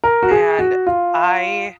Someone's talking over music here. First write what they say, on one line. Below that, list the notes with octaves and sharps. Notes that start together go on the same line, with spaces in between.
and I
A#4
F#4
G#4
F#4
F4